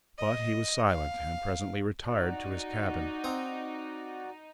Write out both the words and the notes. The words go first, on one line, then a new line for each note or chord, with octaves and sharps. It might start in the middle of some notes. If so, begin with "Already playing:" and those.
But he was silent and presently retired to his cabin.
D#5
F5
D#4 F#4 D5
C4 D#6